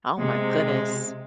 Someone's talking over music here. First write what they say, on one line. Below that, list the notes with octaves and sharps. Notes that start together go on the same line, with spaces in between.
Oh my goodness.
C3 G#3